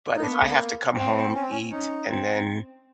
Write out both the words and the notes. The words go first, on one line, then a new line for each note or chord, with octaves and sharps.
But if I have to come home, eat, and then
D#4
B3 D4
A#3
A3
A#3
C4
C#4
C4
C#4
C#4 D#4
C4